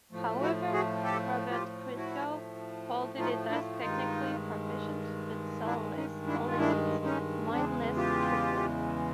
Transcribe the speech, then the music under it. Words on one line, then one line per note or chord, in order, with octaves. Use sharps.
However, Robert Christgau faulted it as technically proficient but soulless, calling it "mindless trickery".
A2 F3 A3
E4 F#4
F#4 G#4
G4 A4
F4 G4
E4 F#4
D#4 F4
D4 E4
G2 D#3 G#3 D#4 F4
D4 E4
C#4 D#4
D4 E4
F4
D4 E4
C#4 D#4
E2 C#3 E3 G#3 C4 D4
F4 G4